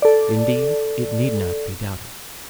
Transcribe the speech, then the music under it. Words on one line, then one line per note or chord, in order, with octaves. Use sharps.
Indeed it need not be doubted.
A4 D5